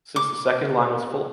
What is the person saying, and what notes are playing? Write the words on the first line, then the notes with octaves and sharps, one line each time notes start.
Since the second line was full.
D6